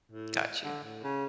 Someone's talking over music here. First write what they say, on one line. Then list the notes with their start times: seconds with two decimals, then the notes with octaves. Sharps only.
Got you.
0.12 A2
0.64 D3
0.84 A2
1.04 C#3